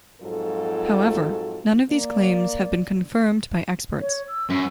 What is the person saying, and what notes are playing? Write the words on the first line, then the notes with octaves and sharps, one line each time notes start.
However, none of these claims have been confirmed by experts.
F2 G#2 F#3 F4 F#4 A4
A#3 D5
C#5
E6
F#2